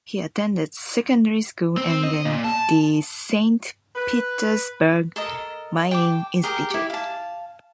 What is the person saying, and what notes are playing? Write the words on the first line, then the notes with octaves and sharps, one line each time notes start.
He attended secondary school and then the Saint Petersburg Mining Institute.
C4
D#5
A#2
A5
B4
A4 A#4 D#5
G5 A5 D6
G4 G#4 A#4
E4 G4
F5 A5